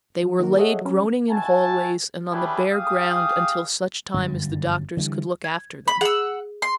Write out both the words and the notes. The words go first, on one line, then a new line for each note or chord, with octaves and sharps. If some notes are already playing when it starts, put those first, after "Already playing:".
They were laid groaning in hallways and on the bare ground until such time as the doctors could look after them.
F3
D#3 F#3 A#3 F#4 A#4
G#4 A4 C#5 D#5 E5 F#5
F#3 C#4
E4 F#4 G#5 A5
C#4 D4 E4 G4 G#4 B4
G4 G#4 F5 D#6
G1 F#2
D3 E3 F#3 G3
G#6
B5
G#4 F#5 E6 C7
C6